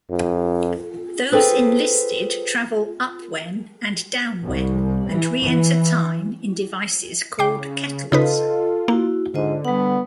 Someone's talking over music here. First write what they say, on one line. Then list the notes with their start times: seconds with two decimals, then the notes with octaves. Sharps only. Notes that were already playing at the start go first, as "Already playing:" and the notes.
Those enlisted travel "upwhen" and "downwhen" and re-enter time in devices called "kettles".
0.10 F2
1.32 G#4 A4 B4 C5 G5
4.44 C2
5.10 E3
5.42 E3
7.39 C#3 G5 D6 C7
8.12 C#3 D#4 F4 A4 B4 D#5
8.88 A#3 E4 F#4
9.34 G#2 D3 F4 C5 D#5
9.65 G3 B3 F#5